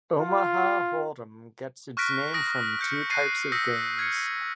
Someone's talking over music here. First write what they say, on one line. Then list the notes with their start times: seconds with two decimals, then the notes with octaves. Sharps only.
Omaha Hold'em gets its name from two types of games.
0.20 F4
1.97 C#6 F6 F#6 A#6 B6 D7
2.34 D#6 A#6 D7
2.79 F6 G6 C#7
3.10 F#6 G6 A6 A#6 C7 D#7
3.52 D#6 E6 G6 A#6 B6 C#7
3.97 F6 G#6 C7 C#7